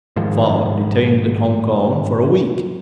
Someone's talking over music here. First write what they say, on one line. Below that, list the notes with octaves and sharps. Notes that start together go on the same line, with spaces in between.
Fogg detained at Hong Kong for a week!
G#2 D#3 F3